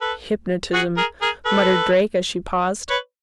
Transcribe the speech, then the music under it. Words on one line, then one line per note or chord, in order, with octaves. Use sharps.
"Hypnotism," muttered Drake, as she paused.
A4 B4
F#4 G#4
G#4 A#4
G#4 A#4
A4 B4
B4 C#5